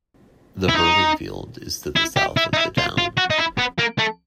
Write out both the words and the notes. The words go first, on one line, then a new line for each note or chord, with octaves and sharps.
The hurling field is to the south of the town.
E4
D#4
E4
G4
E4
D#4
E4
F4
F4
F#4
D#4
E4
B3
A#3
A3